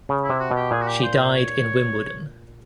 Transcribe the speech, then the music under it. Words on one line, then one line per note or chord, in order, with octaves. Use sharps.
She died in Wimbledon.
C#3
E4
C3
F#4
B2
G4
A#2 G#4
F#4
G4
C5
C5
C#5